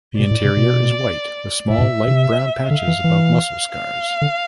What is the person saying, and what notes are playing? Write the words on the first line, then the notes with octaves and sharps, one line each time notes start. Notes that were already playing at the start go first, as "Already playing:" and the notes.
The interior is white with small light brown patches above muscle scars.
B2 D5
A2
C3
B2
A2 E5
G2
A2
C3
D3 F5
E3
E3
F5
D3